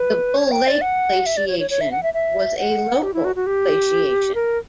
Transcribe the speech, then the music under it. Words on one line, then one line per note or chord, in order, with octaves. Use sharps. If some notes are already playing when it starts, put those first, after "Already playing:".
The Bull Lake glaciation was a local glaciation.
Already playing: B4
C#5
G5
D5
F#5
E5
D5
C#5
C#5
C#5
E5
F#5
E5
E5
F#5
G4
E4
F#4
F#4
G4
A#4